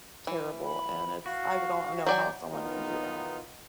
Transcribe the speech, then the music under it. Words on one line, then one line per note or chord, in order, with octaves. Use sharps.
terrible, and it's I could not know how someone can do that.
E3
B5
F#4 F5
F#3 D5 G#5 G6
B1 D#3 E3 B3 D#4 F4